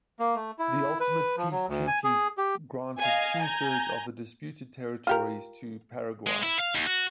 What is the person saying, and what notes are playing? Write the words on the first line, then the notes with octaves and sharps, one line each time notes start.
The ultimate peace treaties granted two-thirds of the disputed territories to Paraguay.
A#3
A3
E4
B4
F3
F#3
D2
G#5
G#4
G4
D#5 F5 G#5
G#5 A#5 G6
F4 G4 A#4
G#3
E4
F5
D#2
F#4